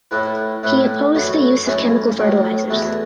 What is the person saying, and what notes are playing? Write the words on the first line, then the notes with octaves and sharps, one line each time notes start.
He opposed the use of chemical fertilizers.
A2 A3 E4 B4
A2 A3 E4 B4
F#2 E3 A3 F#4
F#2 E3 A3 C#4
A2 F#3 A3
E2 E3 A3 F#4